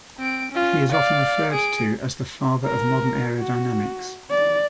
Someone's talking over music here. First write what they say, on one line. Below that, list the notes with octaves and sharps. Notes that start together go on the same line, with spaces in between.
He is often referred to as the father of modern aerodynamics.
C4 D7
C#4 F4
D5 F5
G#4 D7
A#4
F#4
D5